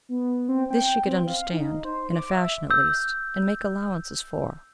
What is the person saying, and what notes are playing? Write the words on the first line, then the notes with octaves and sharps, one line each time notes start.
This she could understand, in a fashion at least, and make allowances for.
B3
C4
G5
C4
F5
D#4
C5
D6
E5
E6 G6